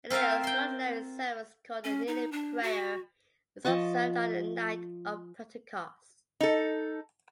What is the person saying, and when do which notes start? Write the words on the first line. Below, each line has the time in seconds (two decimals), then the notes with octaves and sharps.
An extraordinary service called the Kneeling Prayer, is observed on the night of Pentecost.
0.10 C4 F4 A#4 E5 F5
0.43 G5 C6
1.84 C#4
2.07 D#4
2.32 D4
2.63 F#4
3.65 F3 D#5 A5 C#6
6.40 D#4 A4